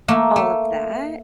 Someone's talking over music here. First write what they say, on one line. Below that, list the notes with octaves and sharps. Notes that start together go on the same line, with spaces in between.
all of that,
A3 A#3
A3